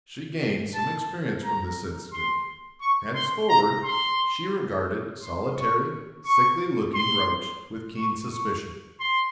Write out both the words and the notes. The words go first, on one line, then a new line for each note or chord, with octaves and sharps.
She gained some experience from this incident; henceforward, she regarded solitary, sickly-looking roach with keen suspicion.
A5
A#5
C6
C#6
C6
A#5
C6
C6
C#6
C#6
C6
C#6
C#6
C6